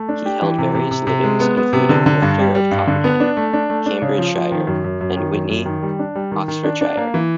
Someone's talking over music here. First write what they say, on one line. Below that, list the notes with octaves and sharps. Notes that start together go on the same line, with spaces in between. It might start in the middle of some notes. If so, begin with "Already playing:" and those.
He held various livings, including rector of Cottenham, Cambridgeshire, and Witney, Oxfordshire.
Already playing: A3
D4
G4
E3
C3
C3
C3
C3
G#3
B3
B3
C3
D3
D3
G2
G3
G3
G2
D3
B3
D4
A3
D4
A3
D4
C#3
F3
F3
D#3
F#2
F#2
F#2
D#3
F#2
F#2
D#3
G3
D4
G3
D#3
D#3
D4
D4
A#3
E3